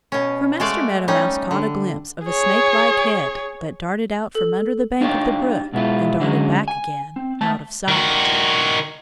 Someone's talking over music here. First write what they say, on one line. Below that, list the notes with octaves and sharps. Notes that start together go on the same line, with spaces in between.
For Master Meadow Mouse caught a glimpse of a snakelike head that darted out from under the bank of the brook and darted back again, out of sight.
B2 C#4
G#3 A3 F#4 D5 F5
G3 C#4 D#4
D3
G#4 C#5
A4
D4 D#4 F4 G4 C#5
B2 G#3 B3 E4 F4
D3 F#3 G#3 C#4
G#5
C4
D#2 A3 A5
D#3 F#4